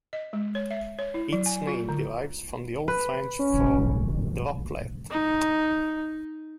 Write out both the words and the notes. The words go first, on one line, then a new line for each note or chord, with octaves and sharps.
Its name derives from the Old French for "droplet".
D#5
G#3
C#5
E5
C#5
E4
F#3
G#5
F4
D3
B4
C#4
D#4